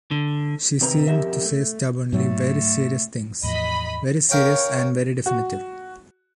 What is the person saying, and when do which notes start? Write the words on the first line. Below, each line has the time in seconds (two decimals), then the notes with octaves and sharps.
She seemed to say stubbornly very serious things, very serious and very definitive.
0.11 D3
0.81 C3 D#3 B4 A#5
1.08 F2 G4 A#4 E5
1.45 A3
2.13 G#2 F#3 A3
3.43 E2 A2 F3 D#5 B5
4.31 A#4 C#5 F5 G5
5.26 F#4